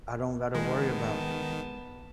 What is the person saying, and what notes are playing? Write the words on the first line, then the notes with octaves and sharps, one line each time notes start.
"I don't gotta worry about,"
D#3 G#3 B3 A5